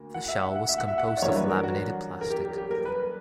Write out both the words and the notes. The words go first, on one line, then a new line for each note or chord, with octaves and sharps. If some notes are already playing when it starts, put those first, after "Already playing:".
The shell was composed of laminated plastic.
Already playing: D2 A#3
F#5
E5
F#5
F#5
E5
F#5
E5
F#5
E5
D5
F#2 E3 G3 A#3 D4 C#5
B4
A#4
F#4
A#4
G4
G4
G4
A#4
B4